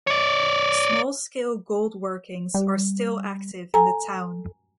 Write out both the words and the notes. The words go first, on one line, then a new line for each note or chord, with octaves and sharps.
Small-scale gold workings are still active in the town.
C#5 D5
G3
A4 G#5 A#5